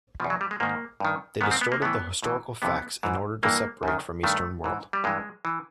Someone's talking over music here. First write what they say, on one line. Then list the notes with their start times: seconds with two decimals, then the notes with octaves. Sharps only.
They distorted the historical facts in order to separate from Eastern world.
0.20 E2 B2 F3
0.30 F#3
0.41 G3
0.51 G#3
0.60 G#2 D#3 A#3
1.00 G2 D#3
1.41 G#2 D#3 B3
1.51 C4
1.61 B3
1.72 A#3
1.82 A2 E3 B3
2.22 A2 E3
2.62 F2 C3 E3 B3
3.03 G#2 E3
3.43 G2 E3 A#3
3.83 F#2 D#3
4.23 G2 D#3 A3
4.64 G#2 E3
4.93 G3
5.04 G2 E3 G#3
5.45 E3